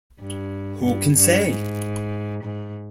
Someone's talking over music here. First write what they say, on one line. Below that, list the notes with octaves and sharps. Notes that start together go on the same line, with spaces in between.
Who can say?
G2
G2
G2
G#2
G#2